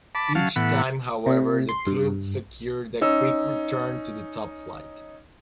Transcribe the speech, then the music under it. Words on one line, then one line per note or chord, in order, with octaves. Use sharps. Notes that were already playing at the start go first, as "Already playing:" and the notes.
Each time, however, the club secured a quick return to the top-flight.
A5 B5 D6
F#3 C#4 F5 A5
A2 E3 B3 F#5
C3
C6
G2
C#4 D#4 E6